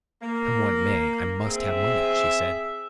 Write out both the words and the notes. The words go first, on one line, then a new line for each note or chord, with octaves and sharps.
"Come what may, I MUST have money," she said.
A#3
C4 G#4 E5